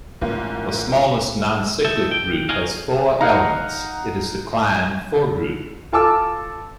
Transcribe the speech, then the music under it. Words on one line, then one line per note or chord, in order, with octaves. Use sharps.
The smallest non-cyclic group has four elements; it is the Klein four-group.
A1 G#2 C#3 A#3 F4
D#4 A4 E5
G5
F#4 G#4 A#4 D#5 F5
D#4 F5 F#5 A#5
F4 A4 A5 D6 E6